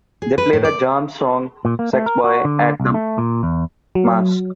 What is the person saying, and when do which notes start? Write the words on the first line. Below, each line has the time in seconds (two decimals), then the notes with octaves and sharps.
They play the Germs song "Sex Boy" at The Masque.
0.22 G#4
0.38 B4
0.53 A2
0.64 D5
1.65 A#2
1.79 A#3
1.93 A3
2.06 A#4
2.24 F#4
2.45 D3
2.80 C2
2.94 A3
3.18 A#2
3.43 E2
3.95 F#3